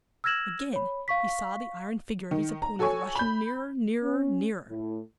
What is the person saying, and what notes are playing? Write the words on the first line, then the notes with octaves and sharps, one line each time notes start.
Again he saw the iron figure of his opponent rushing nearer, nearer, nearer.
E6 F6 G#6 A#6 E7 F#7
C#5 B5
F5 C#6 B6
D#3
A#5
F#4 A4 C#5 G#5 C#6
B5 G6
C#4
A2